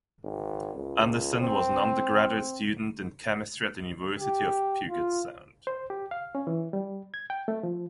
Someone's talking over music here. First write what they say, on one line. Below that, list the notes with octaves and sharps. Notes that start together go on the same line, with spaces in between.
Anderson was an undergraduate student in chemistry at the University of Puget Sound.
G#1
C#2
C4
G4
F4
C5
G4
F5
C#4
E3
G3
G#6
G5
A3
F3